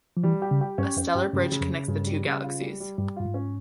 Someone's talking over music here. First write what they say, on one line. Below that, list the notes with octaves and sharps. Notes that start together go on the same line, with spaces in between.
A stellar bridge connects the two galaxies.
F3
E3 G3
G4
C#3
G4
G2 C#4
F2 C#4
G2 G4
G2 C#3
C#3
F2
C#3
G2 C#3
G3
C#3
F4
G3
G3
G2 G3
G2 F4
G#2
C#4